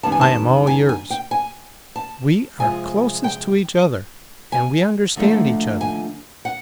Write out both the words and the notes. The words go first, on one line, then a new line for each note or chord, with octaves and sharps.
I am all yours; we are closest to each other and we understand each other.
F#2 D#3 G3 B3 D4 A5
G#5
A5
G#5
G#5
G5
G#5
A5
C3 F3 G#3 C4 F4 G#5
G5
G#5
D#2 D3 F3 A3 D4
G#5
F#5